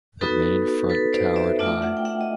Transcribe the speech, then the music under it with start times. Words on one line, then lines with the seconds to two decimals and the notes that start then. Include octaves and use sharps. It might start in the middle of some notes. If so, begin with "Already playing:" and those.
The main front towered high.
0.21 B3 D#4 F#4 A4 B4
0.90 A4 B4
1.13 C5 D5
1.36 D5 E5
1.59 A3 D4 F4 D5 E5
1.82 E5 F#5
1.97 G5
2.05 E5 F#5
2.21 D#5